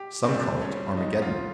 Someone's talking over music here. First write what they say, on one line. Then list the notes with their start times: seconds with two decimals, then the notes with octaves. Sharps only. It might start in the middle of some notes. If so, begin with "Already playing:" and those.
"Some call it Armageddon."
Already playing: G4
0.24 C2 A#2 G3 C4
0.62 C#4
0.97 D#4
1.22 F4